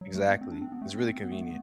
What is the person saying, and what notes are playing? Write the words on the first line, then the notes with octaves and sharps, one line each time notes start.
Exactly. It's really convenient.
F#3
A3
B3
C4
D4
C4
B3
A3
C4
C4
B3
A3
B3